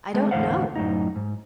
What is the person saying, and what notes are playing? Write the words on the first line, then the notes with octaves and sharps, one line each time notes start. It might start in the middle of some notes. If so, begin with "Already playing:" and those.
"I don't know."
G#3 A3 C4 G#4
E2 A2 D3 C5 F5 F#5
F#2 A2 C3 D#4
G#2